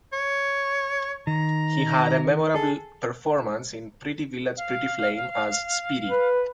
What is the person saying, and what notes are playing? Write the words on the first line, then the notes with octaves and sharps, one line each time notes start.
He had a memorable performance in "Pretty Village, Pretty Flame" as Speedy.
C#5
D#3 A#5
G#4 A4
F5
B4